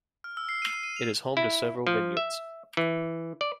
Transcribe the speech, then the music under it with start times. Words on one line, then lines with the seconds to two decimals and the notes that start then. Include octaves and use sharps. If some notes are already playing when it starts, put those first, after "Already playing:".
It is home to several vineyards.
0.24 F6
0.37 E6
0.49 C7
0.62 D#7
0.83 D#7
0.96 F7
1.37 E4
1.87 F3
2.17 E5
2.77 E3
3.41 D5